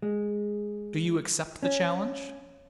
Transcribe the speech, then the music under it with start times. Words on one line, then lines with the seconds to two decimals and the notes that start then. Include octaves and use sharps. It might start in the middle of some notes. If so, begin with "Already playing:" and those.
Do you accept the challenge?
0.02 G#3
1.63 C#4